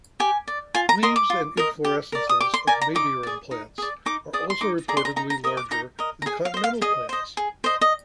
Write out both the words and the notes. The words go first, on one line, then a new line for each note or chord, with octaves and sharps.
Leaves and inflorescences of Madeiran plants are also reportedly larger than continental plants.
G4 G#5
D5
F4 G#5
A#5
A#4 D#5 C6
D6
F4
A#4 D#5
G4
A#4 D5
D#6
G4 D6
C6
A#4 D5 G#5
A#5
D#4 D6
G#4 D5
D#4
G#4 D5
D#4 D6
G#4 D5 D#6
C6
D#4 D6
G#4 D5 A#5
C6
A#5
D#4 A#5
A#5
A#4 D#5 D#6
D6
D#4 A#5
A#4 D#5
A#5
G#4 G#5
F5
C5 D#5
F5
G#4 D#5
C5 D#5
G#4
C5 D#5
D#5